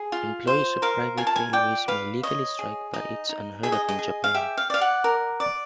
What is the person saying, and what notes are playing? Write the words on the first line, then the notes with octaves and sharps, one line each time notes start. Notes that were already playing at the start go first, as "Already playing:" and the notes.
Employees of private railways may legally strike but its unheard of in Japan.
Already playing: G#4
F4
C5
A#4 F5
F4 G#5
A5
G#5
D5 G5
B4 F5
C#5 D#5
G#4
D#4 D#5
D#4
G#4 E5
D#5
D#5
G#4
F5
G4 E5
F5
D5 F5
F#5
A#4
D5